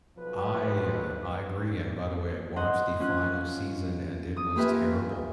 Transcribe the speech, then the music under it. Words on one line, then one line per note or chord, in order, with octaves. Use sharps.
I, uh, I agree, and by the way, I watched the final season and it was terrible.
B1 F3 B4
C5 D#5 F#5
C#4 F4 F#6
D#6
A#3 F4 G4 B4 E5 G#5